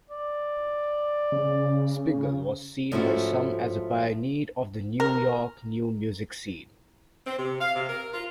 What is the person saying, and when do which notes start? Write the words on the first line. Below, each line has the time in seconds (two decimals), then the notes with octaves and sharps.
Spiegel was seen by some as a pioneer of the New York new-music scene.
0.10 D5
1.32 C#3
2.92 G#2 F3 A3 C#4 E4 F#4
5.00 A#4
7.26 C4
7.37 C3
7.61 F5
7.75 C3
7.89 A#4
8.13 F4